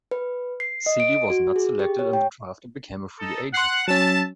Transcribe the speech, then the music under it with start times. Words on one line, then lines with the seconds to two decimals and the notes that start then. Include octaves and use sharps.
Sealy was not selected in the draft and became a free agent.
0.11 B4
0.60 C7
0.86 D#5
1.00 D7
1.30 F#4
1.56 G#4
1.79 G4
1.99 C#5
2.13 G5
3.19 D#4 A4
3.54 F#5 C6 F#6 C7
3.88 F#3 C#4 E5 A5